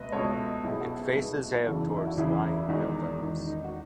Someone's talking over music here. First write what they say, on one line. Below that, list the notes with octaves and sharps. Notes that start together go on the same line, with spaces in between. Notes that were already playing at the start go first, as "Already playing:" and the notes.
It faces out towards Lion Buildings.
Already playing: C#2 B2 B4 D#5 E5
C#2 B2 A4 C#5
B1 B2 E4 G#4
F#4 A4
G#4 B4
B1 B2 G#4 B4
F#1 E2 C#3 E3 F#4 A4
D#4
E4
F#4
F#1 E2 C#3 E3 E4 G#4
E1 E2 D#3 D#4 F#4
E1 E2 D#3 D#4
D#4
F#4